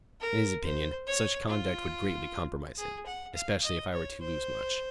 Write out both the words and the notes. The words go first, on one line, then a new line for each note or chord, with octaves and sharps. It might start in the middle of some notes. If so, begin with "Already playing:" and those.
In his opinion, such conduct would greatly compromise him--especially if I were to lose much.
A#4
C5
C#5
F4
G#4
F#5
F5
D#5
C#5
C5